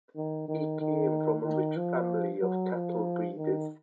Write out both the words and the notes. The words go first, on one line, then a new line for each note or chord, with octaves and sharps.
He came from a rich family of cattle breeders.
D#3
D#3
D#3
D#3
F3
F#3
F3
D#3